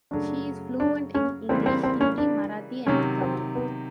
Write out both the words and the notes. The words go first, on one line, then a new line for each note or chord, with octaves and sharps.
She is fluent in English, Hindi, Marathi and Tamil.
F#2 C#3 F#3 A3 D4
D4
C#4
C#3 E3 G3 A#3 C4
C4
C4
C#4
D4
C3 D#3 F#3 C#4
C4
B3